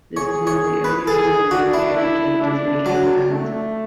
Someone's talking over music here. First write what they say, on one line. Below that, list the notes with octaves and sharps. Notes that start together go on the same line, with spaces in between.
This is one of the earliest known military undertakings in the Cayman Islands.
G#4 C#5
C#5
B4
G#4 A4
D4 F#4
E4
E4
D4
F#3 D4
A3